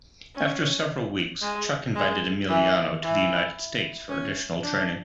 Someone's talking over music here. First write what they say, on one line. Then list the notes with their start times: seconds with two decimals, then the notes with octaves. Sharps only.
After several weeks, Chuck invited Emiliano to the United States for additional training.
0.35 C#4
1.41 G#3
1.95 G#3
2.49 E3
3.03 E3
4.09 C#4
4.62 D4